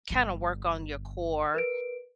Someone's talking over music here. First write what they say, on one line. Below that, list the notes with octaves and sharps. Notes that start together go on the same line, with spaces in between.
kinda work on your core,
G1 D3
A#4 B4 D7